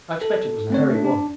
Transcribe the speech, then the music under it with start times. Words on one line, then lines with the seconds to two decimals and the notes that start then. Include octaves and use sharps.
I expect it was the very one!
0.21 A4
0.70 A3 C4 C#5
0.90 A3 D4
1.04 D4